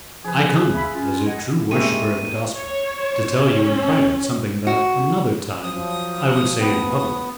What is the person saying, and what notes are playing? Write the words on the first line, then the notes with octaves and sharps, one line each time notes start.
"I come, as a true worshipper of the Gospel, to tell you in private something that, another time, I would say in public."
C3 F3 G#4 B4
E5 F5 B5
C#4 F4
D#5 F#5 G#5
G3 G#3 A#3 C#4 E5 D#7
C#5
C#4
F#4
F3 F#3 D#6
G2 F3 A3 B3 E4